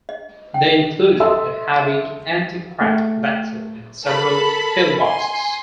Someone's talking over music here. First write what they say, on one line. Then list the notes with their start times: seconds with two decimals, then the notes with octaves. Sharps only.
They included a heavy anti-aircraft battery and several pillboxes.
0.09 D#5
0.54 G5
1.20 A4 D#5 E5 C6 E6
2.81 A3
4.04 A4 A#4 A5 B5
5.01 G#5 C6